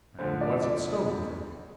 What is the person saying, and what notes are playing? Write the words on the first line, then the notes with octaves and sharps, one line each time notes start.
"And was it stolen from you?"
D2 D3 F3 C5
D5
D5